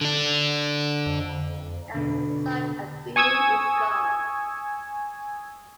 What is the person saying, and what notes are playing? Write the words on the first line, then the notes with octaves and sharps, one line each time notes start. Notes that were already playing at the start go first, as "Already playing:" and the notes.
And such a being is God.
D3 D4
B2 D3
G#5 C#6 D#6 E6 G#6